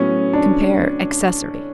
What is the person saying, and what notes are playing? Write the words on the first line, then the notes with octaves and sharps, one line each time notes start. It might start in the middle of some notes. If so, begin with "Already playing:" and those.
Compare ACCESSORY.
Already playing: A2 F#3 B3 C#4
D4